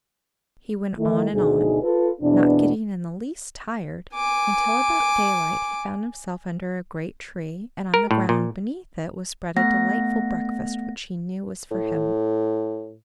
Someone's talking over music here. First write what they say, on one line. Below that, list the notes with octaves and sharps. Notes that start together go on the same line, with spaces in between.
He went on and on, not getting in the least tired, until about daylight he found himself under a great tree, and on the ground beneath it was spread a delightful breakfast, which he knew was for him.
D#3 A3 E4
D2 B2 D#4 G#4
F4 A4 B4
E2 B2 B3 C4 D4
G#5 D6
A#4
A2
A#2
A3 B3 F#5 A#6
A2